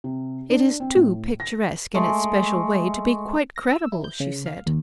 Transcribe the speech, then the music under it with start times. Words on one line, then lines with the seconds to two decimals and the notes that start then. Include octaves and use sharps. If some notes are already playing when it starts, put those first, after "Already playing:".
"It is too picturesque, in its special way, to be quite credible," she said.
0.04 C3
0.50 D4
0.80 C4
0.96 A2
1.40 A#6
1.94 G#3 A3
3.56 A#6
3.71 E6
3.92 E4
4.04 G6
4.20 C#3
4.46 F5
4.66 D#2